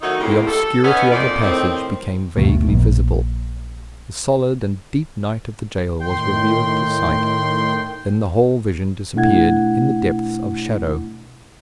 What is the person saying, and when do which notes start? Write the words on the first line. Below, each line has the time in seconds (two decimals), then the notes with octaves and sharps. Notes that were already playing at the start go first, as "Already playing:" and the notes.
The obscurity of the passage became vaguely visible. The solid and deep night of the jail was revealed to sight; then the whole vision disappeared in the depths of shadow.
0.01 D#3 F#3 A3 D#4
0.20 F2 A2 G#3 A#3 G4 D#5
0.47 A4
0.84 B3 C#4 D#4
1.12 F2 A#2 D#4 D5
1.42 A2 D#3 F3 C4
2.37 F#1 D2 B2
2.68 A#1
6.01 A2 D#3 G5 C6
9.14 B2 A3 D4 E4 F#5 G#6